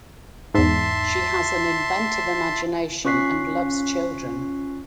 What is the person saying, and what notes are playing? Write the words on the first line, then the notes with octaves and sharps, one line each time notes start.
She has an inventive imagination and loves children.
E2 G#2 E5 A5 C6
C#4 F4 C#6 F#6 B6 C7